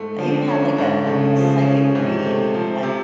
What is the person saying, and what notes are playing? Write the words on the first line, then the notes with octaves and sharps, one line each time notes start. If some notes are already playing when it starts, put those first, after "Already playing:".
I even had, like, a a r a psychic reading, like,
Already playing: G#2 A3
D3 F3
C#4
G#2
C#3 A3
F3
C#4
G#2 C3
A3
F3
C3